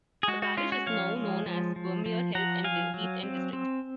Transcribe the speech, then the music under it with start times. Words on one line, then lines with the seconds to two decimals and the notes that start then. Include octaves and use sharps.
The parish is now known as "Bomere Heath and District".
0.23 G#4
0.28 G#3 F#4
0.42 F#4
0.57 C#4 F4
0.72 F#4
0.87 F3 C#5 F5
1.16 G#3
1.46 F3
1.76 F3
2.06 F3
2.35 F3 F#5 A#5
2.64 F#3 F5 G#5
2.94 F#3
3.23 C4
3.53 C4